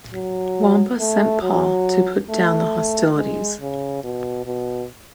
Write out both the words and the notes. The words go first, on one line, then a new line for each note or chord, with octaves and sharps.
Wamba sent Paul to put down the hostilities.
F#3
A3
F#3
A3
G#3
C#3
B2
B2